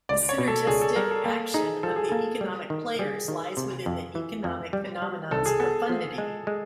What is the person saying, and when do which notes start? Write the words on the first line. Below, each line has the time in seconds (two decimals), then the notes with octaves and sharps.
The synergistic action of the economic players lies within the economic phenomenon's profundity.
0.09 C#2 D5
0.29 C#5
0.38 B2
0.48 A4
0.67 C#2 G#4
0.82 A4
0.96 G3 A#4
1.11 A4
1.25 A#3 A4
1.54 D#4 G#4
1.83 F3 A4
1.96 G#4
2.09 A#3 A4
2.41 G3
2.70 D#3
2.99 G3 G#4
3.28 D#3
3.57 C3
3.86 F2
4.15 E3
4.44 F2
4.73 G3
5.02 G3
5.31 C2 A4
5.46 G#4
5.60 B3 A4
5.89 F3
6.18 G#3
6.47 G#3